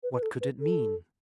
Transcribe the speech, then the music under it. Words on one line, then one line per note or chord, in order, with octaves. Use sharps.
What could it mean?
B4
B4
A4
B4
A4